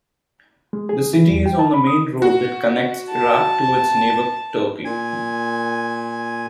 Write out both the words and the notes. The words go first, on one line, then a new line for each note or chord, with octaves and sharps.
The city is on the main road that connects Iraq to its neighbour Turkey.
G#3
G#4
E3
E2
G5
A5
B5
D#6
F#4
A5
A#2 G#5